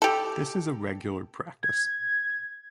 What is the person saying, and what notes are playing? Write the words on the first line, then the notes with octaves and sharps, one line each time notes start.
This is a regular practice.
G4 A4
G#6